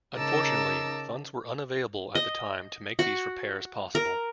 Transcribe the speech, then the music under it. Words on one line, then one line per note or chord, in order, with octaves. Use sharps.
Unfortunately, funds were unavailable at the time to make these repairs possible.
C#3 D#4 A#4 A5 D6 E6
D#5
F#4
A#4